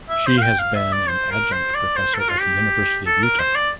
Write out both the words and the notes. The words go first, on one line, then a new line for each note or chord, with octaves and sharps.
She has been an adjunct professor at the University of Utah.
E5
C5
F5
G5
F5
E5
D5
C5
A#4
C5
D5
C5
A4
A#4
F4
G4
A4
A#4
C5
D5